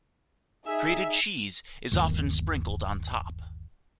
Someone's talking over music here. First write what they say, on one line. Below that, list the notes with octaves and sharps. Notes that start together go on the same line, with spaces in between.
Grated cheese is often sprinkled on top.
D#4 G#4 E5
G1 D#2 D#3